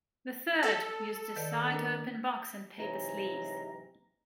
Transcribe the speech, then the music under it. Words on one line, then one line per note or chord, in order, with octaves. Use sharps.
The third used a side-open box and paper sleeves.
A4
D#3 B4 D5
A#3 D4 A#4
G#2 C3 E3 F#3 A#5